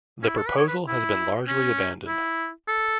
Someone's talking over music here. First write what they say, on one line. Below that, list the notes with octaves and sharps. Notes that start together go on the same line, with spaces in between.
The proposal has been largely abandoned.
C#4
E4
A4
B4
C#5
B4
E4
C#4
E4
A4